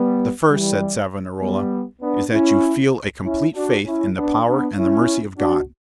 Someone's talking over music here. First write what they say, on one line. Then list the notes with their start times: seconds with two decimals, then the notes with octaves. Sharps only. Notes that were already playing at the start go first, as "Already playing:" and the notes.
"The first," said Savonarola, "is that you feel a complete faith in the power and the mercy of God."
Already playing: G3 B3
0.49 E3 G3
1.41 G3 B3
2.02 B3 D4
2.33 C#4 E4
3.24 C#4 E4
3.55 D4 F#4
3.85 C#4 E4
4.17 B3 D4
4.47 B3 D4
4.77 C#4 E4
5.38 D4 F#4